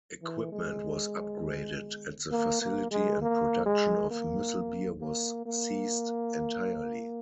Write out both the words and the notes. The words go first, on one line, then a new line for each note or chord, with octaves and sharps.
Equipment was upgraded at the facility and production of Muessel beer was ceased entirely.
E3
G#3
A#3
A#3
G#3
A#3
G#3
A#3
A#3
A#3